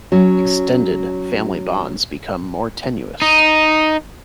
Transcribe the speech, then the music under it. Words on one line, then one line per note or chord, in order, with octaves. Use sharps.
Extended family bonds become more tenuous.
F#3 C#4
D#4